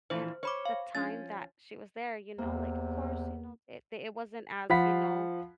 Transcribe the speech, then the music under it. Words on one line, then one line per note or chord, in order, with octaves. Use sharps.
and, the time that she was there, you know, like, of course, you know, it the it wasn't as, you know,
A#2 E3 F3 C5
C5 C#5 B5 D6
F5
F3 C#4 A6
E2 C3 A#3
F3 F5 F#5 B5 B6